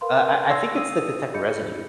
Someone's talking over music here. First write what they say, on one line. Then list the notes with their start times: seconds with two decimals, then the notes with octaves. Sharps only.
Uh, I I think it's to detect residue,
0.01 A#4 B4 F5 B5 C6
0.49 C6 C#6 E6 G#6 A#6 C7
0.75 D#6 E6 D#7
1.33 F#4 G#4 D#5 B5 G6 C#7